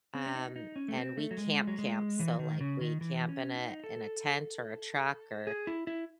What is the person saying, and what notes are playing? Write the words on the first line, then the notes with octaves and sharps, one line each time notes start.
um, and we camp, camp. So, like, we camp in a in a tent or a truck or,
C4
C#4
D#4
D#4
C#4
A3
C4
A3
F#3
G#3
F#3
G#3
E3
D#3
C#3
D#3
E3
C#4
D#4
A4
G#4
E4
E4